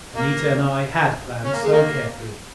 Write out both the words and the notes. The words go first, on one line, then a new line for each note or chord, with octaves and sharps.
Anita and I had planned so carefully.
A#3
C#4
A#3
G#3
D#3 A#3